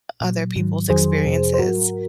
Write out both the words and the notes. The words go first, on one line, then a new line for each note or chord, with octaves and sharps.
other people's experiences.
A#2 F#3
G#2 D#3 F#3
F2 D#3 F#3 G#4 C5
F2 C3 F3
C5
G#2 F#3 F#4 A#4